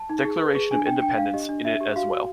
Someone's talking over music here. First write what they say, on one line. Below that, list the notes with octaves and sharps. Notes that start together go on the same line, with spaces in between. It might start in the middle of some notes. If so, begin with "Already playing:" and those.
Declaration of Independence in it as well.
Already playing: A5
D#4
G#4
B4
G#4
D4 G#5
D4 G5
D4 G5
D4 F5
G4 D#5
D4
D4 E5
G4
F#4 F5
F#4